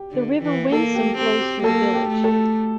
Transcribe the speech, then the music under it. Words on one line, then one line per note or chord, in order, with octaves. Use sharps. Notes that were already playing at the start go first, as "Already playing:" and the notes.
The River Wensum flows through the village.
Already playing: G4
D3
E3
A#3 A4
G4
C4 G4
G4
A#3 A4
G4
A3
A4